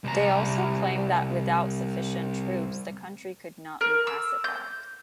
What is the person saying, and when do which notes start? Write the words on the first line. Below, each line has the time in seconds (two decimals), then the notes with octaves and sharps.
They also claim that without sufficient troops the country could not be pacified.
0.04 C2 A#5
3.81 A#4
4.07 E6
4.44 G6